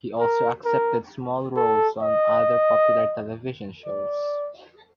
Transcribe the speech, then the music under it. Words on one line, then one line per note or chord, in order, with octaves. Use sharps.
He also accepted small roles on other popular television shows.
A#4
A#4
A4
D#5
D5